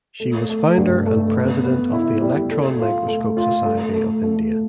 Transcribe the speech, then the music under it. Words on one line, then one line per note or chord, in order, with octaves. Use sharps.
She was founder and president of the Electron Microscope Society of India.
A3
A3
G2
A3
B3
B3
E4
G3
A4
F4
A3
F4
A3
A3
A3
A3